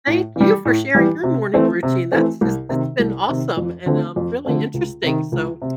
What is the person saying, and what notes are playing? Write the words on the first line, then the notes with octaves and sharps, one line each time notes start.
Thank you for sharing your morning routine, that's just it's been awesome and, um, really interesting. So,
A2
E3 G3
A2
E3 G3
C3
E3 A3 C4
C3
E3 A3 C4
C2
C3 D#3
C2
C3 D#3
F2
D3 F3 A3 C4
F2
D3 F3 A3 C4
C#2
C3 D#3
C#2
C3